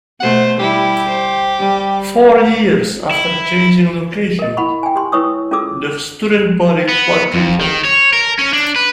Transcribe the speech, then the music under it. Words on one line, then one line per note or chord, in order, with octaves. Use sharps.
Four years after changing locations, the student body quadrupled.
B2 A3 C5 F#5
G3 E4 G4
C5
G3
E4
A#4 D#5
E4 F#5 B5 C#6
G5 G#5
G4 C6
E4 B4 C#5 C#6 D#6 E6
C#4 F4 G#4 A4 D6 E6
B3
F2
D#3
C#5
A#4
C#4
D4
B4